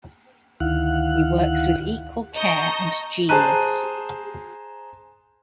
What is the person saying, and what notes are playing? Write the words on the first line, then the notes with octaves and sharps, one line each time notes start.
He works with equal care and genius.
D2 D#3 E4 F5 F#5 F#6
D#5 A5 A#5 C#6 G6 A#6
G#4 C5 A5 A#5 F#6 D#7